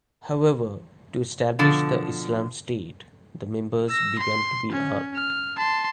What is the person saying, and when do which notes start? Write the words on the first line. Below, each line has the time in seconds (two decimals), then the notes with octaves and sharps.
However, to establish the Islam state, the members began to be armed.
1.59 B2 D3 F3
3.88 E6 A#6
4.19 C6
4.72 C#4
5.15 F6
5.57 A5 C6